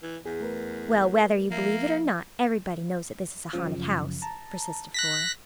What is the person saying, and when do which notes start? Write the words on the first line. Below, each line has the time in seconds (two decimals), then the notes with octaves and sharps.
"Well, whether you believe it or not, everybody knows that this is a haunted house," persisted Flora.
0.02 E3
0.26 E2 G#4
0.41 A3 A#4 B4
1.51 F3 A#3 E5
3.53 F#2 C#3 F3
4.22 A5 A#5
4.94 F#6 A#6 B6